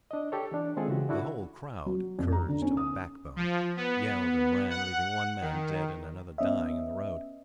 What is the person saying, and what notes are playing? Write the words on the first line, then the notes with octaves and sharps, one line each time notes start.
The whole crowd--curs to the backbone--yelled and ran; leaving one man dead, and another dying in the road.
D4 D#5
G4 A4 C#5
E3 D4
D#3 G#3 C4 F4 G#4 A4
C#3 E3 F#4 G4
D4 E4 F#4 A4
F#3
F2
A#5
D3
C#4
D#6
F3
B3
F#5
D#3
B3 C#4 D#5 E5